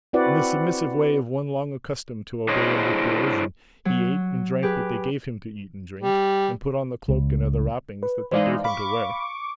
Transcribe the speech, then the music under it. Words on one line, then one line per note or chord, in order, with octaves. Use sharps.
In the submissive way of one long accustomed to obey under coercion, he ate and drank what they gave him to eat and drink, and put on the cloak and other wrappings, that they gave him to wear.
C4 E4 F#4 B4 D5 F#5
D4 E4 G#4 C5 C#5 D#5
F#3
G4 G#4 B4
G3
C#2
B4
E3 G#3 D#4 C5 D5 F5
F5 B5 C#6 D6